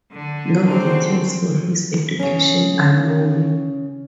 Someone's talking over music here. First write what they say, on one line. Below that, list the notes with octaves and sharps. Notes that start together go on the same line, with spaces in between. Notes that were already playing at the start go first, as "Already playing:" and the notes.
No details of his education are known.
D3
D3 F#3 G#3 C4 D4 C5
C#3 C#4